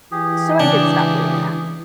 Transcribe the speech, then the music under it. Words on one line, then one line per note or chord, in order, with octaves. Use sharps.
So, I did stop doing that.
E3 G4 G#4
C#2 D4